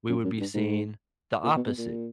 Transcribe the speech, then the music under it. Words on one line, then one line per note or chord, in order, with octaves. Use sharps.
we would be seeing the opposite,
F#2
F#2
G2
G#2
A#2
B2
B2
A#2